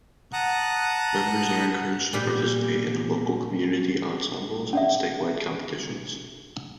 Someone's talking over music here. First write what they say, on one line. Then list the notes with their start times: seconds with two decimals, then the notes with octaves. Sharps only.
Members are encouraged to participate in local community ensembles and statewide competitions.
0.33 F#5 A5 A#5 D#6 F#6
2.13 A#2 G3 B3
4.73 C#4 D5 E5